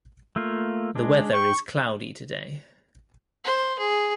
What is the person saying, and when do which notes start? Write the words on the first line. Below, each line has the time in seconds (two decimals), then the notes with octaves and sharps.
The weather is cloudy today.
0.36 A3 A#3 F4
0.96 G#3 D4
1.33 G5 C#6
3.44 C5
3.79 G#4